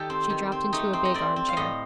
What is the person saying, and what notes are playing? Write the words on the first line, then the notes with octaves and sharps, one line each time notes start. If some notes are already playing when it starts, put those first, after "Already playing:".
She dropped into a big arm-chair.
Already playing: D#3 G4 A4
C4
D#3
C4
A3 D#4
C4
D#5
C4 D5
C4
F5
A2 D#5